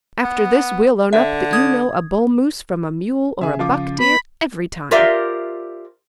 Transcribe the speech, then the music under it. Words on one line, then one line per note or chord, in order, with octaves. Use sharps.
"After this, we'll own up that you know a bull moose from a mule or a buck deer every time."
B3
D3 E5
D#6 G#6
C#3 G#4 E5
F3 F4 D6
B3 B5
F4 G4 A#4 C5 D5 E5